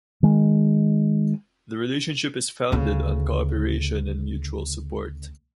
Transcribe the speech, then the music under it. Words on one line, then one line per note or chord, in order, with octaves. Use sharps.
The relationship is founded on cooperation and mutual support.
D#3 G#3
D2 C#3